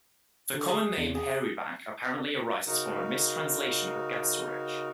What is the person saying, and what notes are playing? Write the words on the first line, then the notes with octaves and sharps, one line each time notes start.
The common name "hairyback" apparently arises from a mistranslation of "gastrotrich".
D3
G#4
E2
G#4
C#3 D#4 F#4 A#4